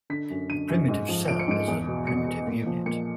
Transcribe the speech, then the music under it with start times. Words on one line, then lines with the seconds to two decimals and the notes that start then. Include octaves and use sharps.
The primitive cell is a "primitive unit".
0.10 D3 B6
0.30 F#2
0.50 D3 D#7
0.69 F#2
0.88 G#2
1.08 F3
1.28 F3 D7
1.39 C#7
1.48 G#2 D7
1.67 E2
1.87 B2
2.07 B2 C#7
2.27 B2
2.47 A#2
2.66 F3
2.86 A#2 C#7